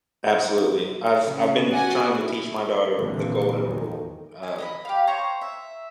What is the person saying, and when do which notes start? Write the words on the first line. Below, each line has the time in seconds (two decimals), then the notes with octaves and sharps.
Absolutely. I've I've been trying to teach my daughter the golden rule. Uh,
1.24 C#3
1.69 C#4 F#4 D5 F#5 G#5
2.08 E4
2.97 G#1 A#2 D3 E3 A#3 C4
3.65 E2 D#3
4.43 G#5
4.58 D#5 E5 B5
4.85 G4 F5
5.07 C5 C#5 A#5 C#6
5.41 E5